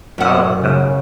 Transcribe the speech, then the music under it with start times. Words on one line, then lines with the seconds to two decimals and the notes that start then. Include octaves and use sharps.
Oh, okay.
0.18 F#2 F#5
0.60 C#3